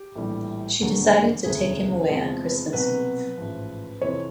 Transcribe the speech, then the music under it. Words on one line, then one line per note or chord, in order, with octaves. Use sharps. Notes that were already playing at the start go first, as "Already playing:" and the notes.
She decided to take him away on Christmas Eve.
Already playing: G4
A#1 A2 E3 G3
E1 D#2 D3 F#3
E1 D2 C#3 G#4
E2 C3 F3 G#3
C2 B2 F#3 B4
A1 G#2 F3
F2 C3 E3 C#5